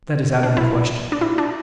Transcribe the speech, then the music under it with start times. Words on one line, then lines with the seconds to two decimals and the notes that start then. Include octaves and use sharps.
That is out of the question.
0.43 D4
0.57 B1 B2 E4
1.12 D4
1.21 E4
1.38 D4